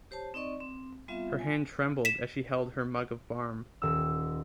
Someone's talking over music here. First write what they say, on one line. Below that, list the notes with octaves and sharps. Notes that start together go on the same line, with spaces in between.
Her hand trembled as she held her mug of barm.
G4 C5 C#5 A5
C4 D#4 D5 D#5 C#6
C4
G3 B3 C4 F4 E5 F5
G#5
B6 E7
D#1 E6